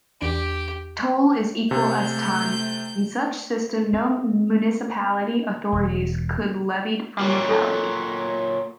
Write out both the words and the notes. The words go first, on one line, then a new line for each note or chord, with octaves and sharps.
Toll is equal as ton...in such system no municipality authorities could levied from locality.
E2 D4 G4 D7
C3 A3 G6
C4
E1
A#2 F#3
A4